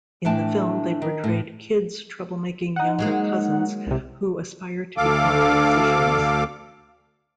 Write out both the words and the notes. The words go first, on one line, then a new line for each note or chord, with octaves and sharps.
In the film, they portrayed Kid's trouble-making younger cousins who aspire to become musicians.
A2 E3 A3 D4 G5 A5
D#3
A2
D#4 F#5
F#3 G#3 A#3
C2 C3
D2 A4 F5 D6